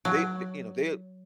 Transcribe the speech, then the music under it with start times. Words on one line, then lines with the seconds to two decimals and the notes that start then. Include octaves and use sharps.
they th you know, they
0.05 F#3